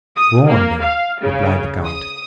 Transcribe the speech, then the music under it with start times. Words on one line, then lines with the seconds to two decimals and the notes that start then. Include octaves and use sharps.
"Go on, then," replied the count.
0.16 D#6
0.48 A#3
0.82 F5
1.21 C#3
1.85 D#6